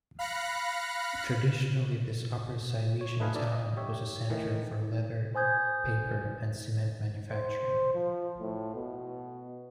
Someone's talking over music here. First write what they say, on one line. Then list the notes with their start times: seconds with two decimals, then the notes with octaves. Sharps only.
Traditionally this Upper Silesian town was a centre for leather, paper and cement manufacturing.
0.19 F5 B5 F#6 A#6 C#7
3.01 C#5
3.20 A3 D#4 B4 D#5 F5 G#5
3.35 D4 D5 E5
3.52 D#5
3.77 G4 C#5 E5
4.30 A2 D#3 E3
5.35 C5 G#5 D#6 G6 G#6
7.29 C5
7.94 F3
8.40 A2
8.75 B2